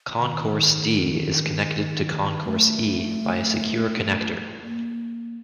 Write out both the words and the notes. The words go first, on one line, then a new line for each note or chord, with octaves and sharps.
Concourse D is connected to concourse E by a secure connector.
D3
D#3
A3
A#3